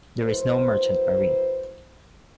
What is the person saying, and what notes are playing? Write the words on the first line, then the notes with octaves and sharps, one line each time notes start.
There is no merchant marine.
F#3 E4 B4 C5